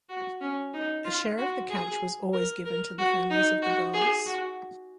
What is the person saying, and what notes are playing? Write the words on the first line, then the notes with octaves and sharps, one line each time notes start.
A share of the catch was always given to the families of the girls.
F#4
C#4
D#4
F4
F#4
G#4
A#4
A#4
F#4
D#4
F#4
G#4
F#4